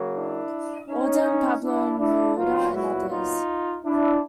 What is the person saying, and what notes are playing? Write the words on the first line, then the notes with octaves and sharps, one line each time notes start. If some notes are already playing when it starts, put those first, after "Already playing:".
Auden, Pablo Neruda and others.
Already playing: C#3 F#3 A#3
D4 E4
C#4 D#4
D4 E4
D4 E4
A#2 F#3 B3 D#4 F4
E4 F#4
D#4 F4
D4 E4